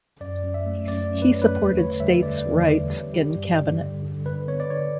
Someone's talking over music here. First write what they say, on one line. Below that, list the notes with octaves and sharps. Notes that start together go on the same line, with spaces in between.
He supported states' rights in Cabinet.
F#2 D5
F#2
E5
A3
F#2 D5
F#2
B4
A3 C#5
B4
E2 B4
D3 C#5
G3 E5
D3 D5
E2
D3
G3
G3
G2
G3
D3
D3
D3 B4
B3 C#5
D5
D3 C#5